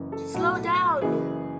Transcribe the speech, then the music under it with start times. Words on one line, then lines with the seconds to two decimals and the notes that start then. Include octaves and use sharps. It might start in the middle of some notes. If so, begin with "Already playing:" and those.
Slow down!
Already playing: F#1 F#2 E3
0.12 A4
0.34 B1 A2 F#3 F#4
1.01 F#1 F#2 E3 G#4